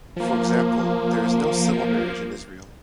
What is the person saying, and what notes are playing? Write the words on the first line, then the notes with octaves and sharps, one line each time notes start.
For example, there is no civil marriage in Israel.
F3 A#3